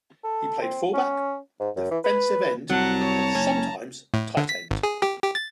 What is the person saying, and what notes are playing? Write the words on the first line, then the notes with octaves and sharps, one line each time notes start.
He played fullback, defensive end and sometimes tight end.
A4
C4
C#4
G#2
F#2
E3
B4
C2 F#3 F#5 A5 A#5
C#5
F#1 C#4
A2
D3
B6
G#1
G#4
G4
G4
A6